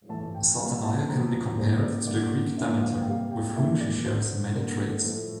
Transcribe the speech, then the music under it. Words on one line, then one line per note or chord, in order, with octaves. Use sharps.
Satanaya can be compared to the Greek Demeter, with whom she shares many traits.
A2 E3 A3 A5
G5
C3 G3 A#3 F5
A5
A2 F3 A#3 A#5
A#5
D3 G3 A#3 C5
D5
D3 G3 A#3 D5
D3 F3 A#3 E5
F5
G5
C3 G3 A#3 F5
G5
A2 E3 G3 A#3 E5
D5
D3 A3 C5
D3 G3 A#3 A#4
A4
A2 F3 A3 A4